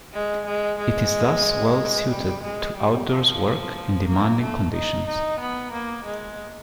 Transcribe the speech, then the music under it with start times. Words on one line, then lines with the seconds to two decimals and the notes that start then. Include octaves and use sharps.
It is thus well suited to outdoors work in demanding conditions.
0.14 G#3
0.46 G#3
0.79 G#3
2.10 G3
2.43 G#3
2.77 G3
3.10 F3
4.07 A#3
4.41 A3
4.73 D#4
5.06 D#4
5.40 B3
5.72 A#3
6.05 G#3